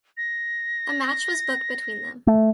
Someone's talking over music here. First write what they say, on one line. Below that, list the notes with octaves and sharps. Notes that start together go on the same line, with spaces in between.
A match was booked between them.
A#6
A3